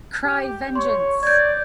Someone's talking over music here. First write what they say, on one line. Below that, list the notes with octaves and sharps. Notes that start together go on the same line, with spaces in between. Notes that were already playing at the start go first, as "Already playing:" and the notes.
Cry Vengeance!
G4
C#5 C6
D5 G6 G#6